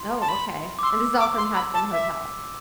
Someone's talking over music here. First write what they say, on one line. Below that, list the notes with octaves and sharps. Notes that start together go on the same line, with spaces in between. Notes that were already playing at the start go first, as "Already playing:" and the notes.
Oh, okay, and this is all from "Hazbin Hotel?"
Already playing: C6
A5
B5
D6
C6 E6
D6
C6
B5
A5
E5 D6